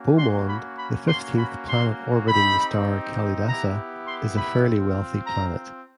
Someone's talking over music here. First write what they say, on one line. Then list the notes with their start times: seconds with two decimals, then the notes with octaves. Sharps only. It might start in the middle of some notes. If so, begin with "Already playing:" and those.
Beaumonde, the fifteenth planet orbiting the star Kalidasa, is a fairly wealthy planet.
Already playing: A#3 C#4 F#4
0.18 C6
0.49 B5
0.79 B5
1.08 A#3 C#4 F#4 C6
1.38 B5
1.69 C6
2.27 C4 D#4 G4 B5
3.47 B3 E4 G4 A#5
4.08 C6
4.37 B5
4.67 C4 F4
5.27 A#5